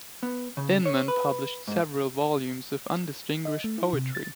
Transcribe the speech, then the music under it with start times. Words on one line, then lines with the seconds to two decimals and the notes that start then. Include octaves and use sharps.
Inman published several volumes of undistinguished poetry.
0.23 B3
0.57 C#3
0.85 C#5
1.08 B4
1.68 G#2
3.45 D#5
3.64 A3
3.78 E4
3.93 C3
4.15 A6